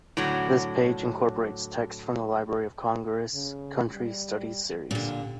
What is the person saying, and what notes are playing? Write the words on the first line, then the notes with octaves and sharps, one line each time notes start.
This page incorporates text from the Library of Congress's Country Studies series.
A2 D3 F#3
C#3
G3
A#2 D3 G4